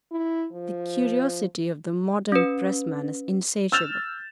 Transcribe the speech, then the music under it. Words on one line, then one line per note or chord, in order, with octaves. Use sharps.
"The curiosity of the modern pressman is insatiable."
E4
F3
C#4 B4
E6 F6 G6 A6 E7 F7